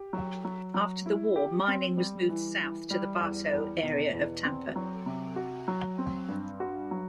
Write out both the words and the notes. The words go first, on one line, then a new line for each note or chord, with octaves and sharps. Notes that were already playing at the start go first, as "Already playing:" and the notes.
After the war, mining was moved south to the Bartow area east of Tampa.
Already playing: G4
F#3
F#3
F#3
E4
G4
C4
G3
E3
E3
G3
E2
E2
B2
E2
C4
F#3
C3
F#4
F#3
C4
G2
F#4
F#3